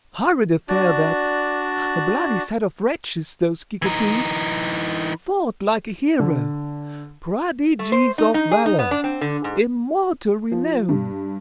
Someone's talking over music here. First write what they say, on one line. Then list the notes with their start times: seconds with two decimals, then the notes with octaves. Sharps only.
Horrid affair that!--a bloody set of wretches, those Kickapoos!--fought like a hero--prodigies of valor--immortal renown.
0.69 D4 F#4 D5
3.82 E3 D#4
6.20 D3
7.79 A3
7.92 C5
8.18 D#4
8.34 D#4
8.51 G#4
8.66 D#4
8.79 B3
8.91 D4
9.04 C4
9.21 D3
9.44 G#2
10.51 F3
10.89 G2